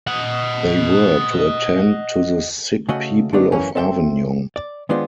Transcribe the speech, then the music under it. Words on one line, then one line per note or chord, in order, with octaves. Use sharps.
They were to attend to the sick people of Avignon.
D#5 F#5
C#3 A3 F#4 D#5
D3 A3 B3 D4 D#4
F#2 E3 A#3 C#4
C4 A4 E5 F5 G5
D5
D#3 G#3 B3 D4 F4 C5